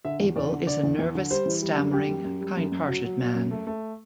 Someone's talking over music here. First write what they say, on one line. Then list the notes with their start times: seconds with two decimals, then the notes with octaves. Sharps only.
Abel is a nervous, stammering, kind-hearted man.
0.05 D3 E5
0.20 E2
0.36 E2 D5
0.52 D3
0.67 D3 D5
0.83 E2
0.99 E2
1.15 D3
1.31 G3 C5
1.46 E3
1.62 G3
1.77 F#2
1.93 G3 G4
2.09 F#2
2.24 F#2
2.41 G3
2.57 F#2
2.72 F#2
2.88 F#3
3.04 F#3
3.20 F#3
3.35 F#2
3.51 A3
3.67 A3